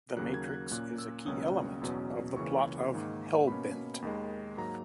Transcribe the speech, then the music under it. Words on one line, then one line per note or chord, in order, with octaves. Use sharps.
The Matrix is a key element of the plot of "Hell Bent".
D#2 C#3 F#3 A#3 F#6
G#6
F#6
G#6
A#2 A#3 C#4 F#6
E6
C#2 B2 F#3 A#3 C#4 D#6
E2 B2 F#3 C#4
C#2 C#3 E3 A#3 C#4 C#6
G#2 D#3 A#3
B2 A#3 C#4 B5
D#2 D#3 G#3
G#2 F#3 A#3 A#5